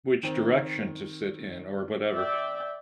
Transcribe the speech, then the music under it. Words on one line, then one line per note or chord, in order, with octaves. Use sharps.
which direction to sit in or whatever,
D#3 C4
D5 E5 G5